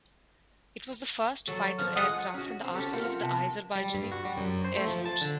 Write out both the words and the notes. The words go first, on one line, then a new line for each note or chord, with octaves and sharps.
It was the first fighter aircraft in the arsenal of the Azerbaijani Air Force.
F#3 A4
F3 F6
G#3 F4 F#5 D#6
C#4 F#4
C4 C5
C#4 F#4 G4 A4
A3 C4 F4 A#4 F#5
C3 B3 A5
G3
G2
F#4
G3
F#2
F#2
C5
A3
F3
A5
D3